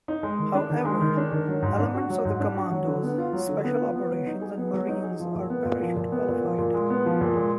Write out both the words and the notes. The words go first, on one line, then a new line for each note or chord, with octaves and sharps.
However, elements of the commandos, special operations and marines are parachute qualified.
D#4
G#3
D#3
D4
D#3
G#3
D#3
D4
D#3
F#3
G#2
D4
F#4
F#3
G#2
D4
F#4
F#3
D3
B3
F4
F#3
D3
B3
F4
B3
F#3
D#4
G#4
B3
F#3
D#4
G#4
F3
A#2
B3
A#2
F3
A#2
B3
A#2
F3
A#2
G#3
B3
F3
A#2
G#3